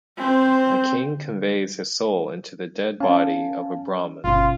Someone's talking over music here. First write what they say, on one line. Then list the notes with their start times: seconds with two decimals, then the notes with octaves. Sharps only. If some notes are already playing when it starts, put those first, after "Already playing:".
A king conveys his soul into the dead body of a Brahman.
0.17 C4 C5
3.00 C#4 F5 G#5 A5
4.24 G1 B2 C#4 F4